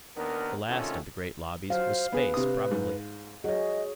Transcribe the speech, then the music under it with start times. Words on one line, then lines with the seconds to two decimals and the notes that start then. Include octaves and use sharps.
The last of the great lobbies was Space, probably.
0.17 D#2 B3 D4 A#4
0.69 D2 C3 D#3 C#4 F4 A4
1.70 F#3 C5 F5
2.13 B3 G#4 B4
2.34 C3 D#6
2.71 G#2
3.44 F#3 G#4 C#5 D#5